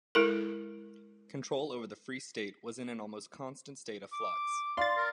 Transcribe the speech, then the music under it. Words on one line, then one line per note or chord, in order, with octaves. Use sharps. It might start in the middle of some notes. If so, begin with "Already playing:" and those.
Control over the Free State was in an almost constant state of flux.
G#3 E4 A4 A#4
D6
D5 F5 C6 A6
A#4